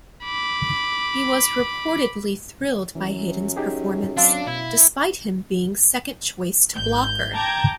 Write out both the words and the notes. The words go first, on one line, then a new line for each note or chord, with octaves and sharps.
He was reportedly thrilled by Hayden's performance, despite him being second choice to Blocker.
B5 D6
F#2 E3
D#4 G4 G#4
F#3 C4 D4 F5 C6 E6
B2 E4
G#1 G6
G5 A5 A#5 D6 G6 G#6